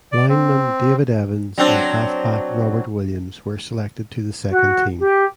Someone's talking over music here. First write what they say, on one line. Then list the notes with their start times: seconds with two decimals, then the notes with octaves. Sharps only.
Lineman David Evans and halfback Robert Williams were selected to the second team.
0.12 D5
0.29 C4
1.58 F#3 C4 D4
4.50 F#4
5.00 G4